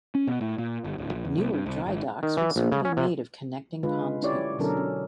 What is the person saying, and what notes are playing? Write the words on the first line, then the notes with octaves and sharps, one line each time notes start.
Newer dry docks would soon be made of connecting pontoons.
C#4
B2
A2
A#2
G1
D1
A#1
E2
C2
G2
C2
G#1
D#3
E3
A#1
C#3
C#4
C3
D3 G#3 F4 B4
C#4 E4 G4 C#5 D5
B2 D3 F#3 C#4 A4 A#4
C#4